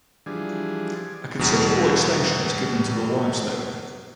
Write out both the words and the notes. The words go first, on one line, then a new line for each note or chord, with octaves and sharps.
A considerable extension is given to the limestone.
E3 F3 G3 D4 G#4
E2 B2 E3 G3